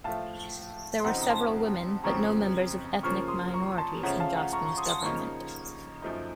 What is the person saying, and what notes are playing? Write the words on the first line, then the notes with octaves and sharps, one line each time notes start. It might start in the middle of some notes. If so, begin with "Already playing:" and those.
There were several women but no members of ethnic minorities in Jospin's government.
A2 F3 A3 F5 A5
C6
F2 C#3 F3 C4 D#4 F#5 A#5
A#5
A5 C6
F2 C#3 F3 C4 A#5 C#6
C#3 F3 A#3 C#4 C#6 F6
C6 D#6
A#5 C#6
A5 C6
C#3 F3 A3 C#4 F#5 A#5
F5 A5
F#5 A#5
A#5 C#6
A#5 C#6
C6 D#6
C6 D#6
C#3 F3 A#3 D#4 A#5 C#6
F#2 F3 A3 D#4